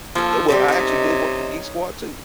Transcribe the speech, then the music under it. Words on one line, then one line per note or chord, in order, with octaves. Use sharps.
Eh, well, I actually did work with Geek Squad, too.
F3 A#3 A4
C3 G3 G4 C5
C#4 D#4